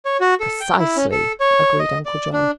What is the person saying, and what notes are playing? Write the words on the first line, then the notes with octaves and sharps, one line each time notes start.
"Precisely," agreed Uncle John.
C#5
F#4
A4
G5
E4
C#4
A4
C#5
D#5
D5
D4